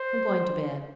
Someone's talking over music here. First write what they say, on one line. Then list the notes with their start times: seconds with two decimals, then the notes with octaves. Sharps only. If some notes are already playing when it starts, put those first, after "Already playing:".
I'm going to bed.'
Already playing: C5